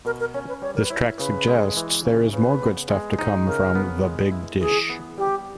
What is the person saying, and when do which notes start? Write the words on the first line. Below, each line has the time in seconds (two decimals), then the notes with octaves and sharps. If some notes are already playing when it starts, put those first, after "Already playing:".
This track suggests there is more good stuff to come from the Big Dish.
0.05 B2 A#4
0.20 A#4
0.34 C#4 C#5
0.48 B4
0.62 G3 C#5
0.76 A#4
0.84 B4
0.90 E4 C#5
1.19 C#3 B4
1.47 G#3
1.77 E3
2.05 C#3
2.33 C#3 B4
2.62 B3
2.90 G#3
3.19 D#4
3.47 C#3 A#4
3.75 B3
4.04 G#3
4.32 E4
4.60 E3 G#4
4.90 B3
5.18 G3 G4